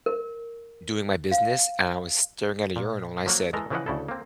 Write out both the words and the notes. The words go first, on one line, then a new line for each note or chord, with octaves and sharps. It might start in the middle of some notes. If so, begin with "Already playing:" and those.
doing my business, and I was staring at a urinal, and I said,
A#4
F5
A#2
F3 F#3 A#3 F#5
E3 G#3 A4 A#4 A#5
C#3 E3 F3 E4 D#5 F#5
D2 C#3 E4 A4
A#3 C4